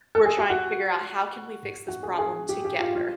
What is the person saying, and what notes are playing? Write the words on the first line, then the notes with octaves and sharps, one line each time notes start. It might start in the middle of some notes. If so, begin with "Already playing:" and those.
We're trying to figure out how can we fix this problem together,
A4
G#4
G4
F#4
F#4
G#4
G#4
G4
G4
F4
F4